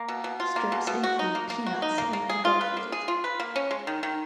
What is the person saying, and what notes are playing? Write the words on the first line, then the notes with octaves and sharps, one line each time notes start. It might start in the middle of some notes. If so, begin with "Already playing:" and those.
Strips include "Peanuts" and "Garfield".
Already playing: A#3
B2
B2
F4
A#3
B2
B2
F#4
D#4
A#3
A#3
F#4
D#4
A#3
A#3
G#4
F4
B4
A#3
G#4
F4
B4
A#3
C#4
G#3
D#3
D#3